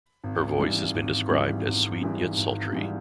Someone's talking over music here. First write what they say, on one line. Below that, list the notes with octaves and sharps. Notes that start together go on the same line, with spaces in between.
Her voice has been described as sweet yet sultry.
G#1
G#2 E3 G3
G#1
G#2 E3 G3
G#1
G#2 E3 G3
G#1
G#2 E3 G3